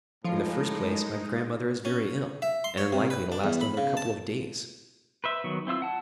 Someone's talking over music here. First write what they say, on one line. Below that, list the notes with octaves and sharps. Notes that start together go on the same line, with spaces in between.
In the first place, my grandmother is very ill, and unlikely to last another couple of days.
A2 F3 G#3 D#4 F4
C#4
E5
C6
C#5
C3
B4
D4
E2
B5
C#3
A5
B4 C5 E5
D#3 F#3 B3
C4 E4 F4 E6
F#5 A5